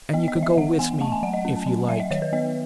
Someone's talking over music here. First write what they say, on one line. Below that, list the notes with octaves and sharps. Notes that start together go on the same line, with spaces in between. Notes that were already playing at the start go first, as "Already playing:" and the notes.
And you can go with me, if you like.
B3 D#5
D#5
E3
E5
E3 F#5
B3 G#5
A3 A5
G#5
F#3 F#5
D#5
C#4
F#3
F#3 E5
D#5
D#3 C#5
B4
B3 D#5